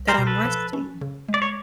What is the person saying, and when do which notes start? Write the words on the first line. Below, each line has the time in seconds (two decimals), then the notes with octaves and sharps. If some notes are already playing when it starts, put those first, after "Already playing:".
that I'm resting.
Already playing: C2
0.08 A#4 C5
0.18 B2
0.27 A4 B4
0.45 F3
0.73 C#4
1.01 C#3
1.29 G#3
1.34 D5
1.42 C#5